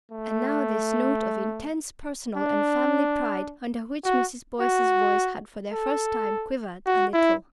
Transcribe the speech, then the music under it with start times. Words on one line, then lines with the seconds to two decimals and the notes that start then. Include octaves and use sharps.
And now this note of intense personal and family pride, under which Mrs. Boyce's voice had for the first time quivered a little!
0.12 A3
2.37 D4
4.05 F#4
4.60 F#4
5.73 A4
6.86 F#4
7.14 E4